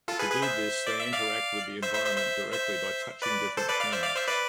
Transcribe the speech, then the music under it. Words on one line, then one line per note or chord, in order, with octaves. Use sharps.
To do this, they interact with the environment directly by touching different things.
F4 A4
G#4 B4
G#4 B4
C5 E5
D5
E5
D5 F5
C5 E5
C5 E5
C5 E5
C5 E5
C5 E5
B4 D5
A4 C5
B4 D5
D5 F5
C5 E5
D5 F5
C5 E5
B4 D5